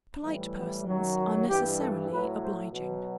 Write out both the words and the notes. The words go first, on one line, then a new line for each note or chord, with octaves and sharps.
Polite persons are necessarily obliging.
A2 E3 G3
B3
F#2 D#3 F#3
F#4
G2 E3 G3 G4
A4
A2 F#3 B4
C5
B2 F#3